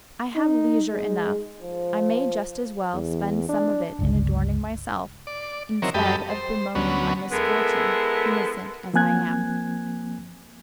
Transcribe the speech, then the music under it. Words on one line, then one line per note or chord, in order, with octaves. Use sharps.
"I have leisure enough: I may just as well spend some of it in adorning myself, instead of bemoaning my misfortune--innocent as I am."
D#4
G#3
F3
E2
D4
G1 C#2
D5
D#3 E3 F#3 C4 A#4 C#5
F#2 G3 G4 A4 D#5 B5
C5
D2 F#3 B3 C#4
G#3 B3 E4 A4 A#4
F3 A#3 C4 G#5 F#6 G#6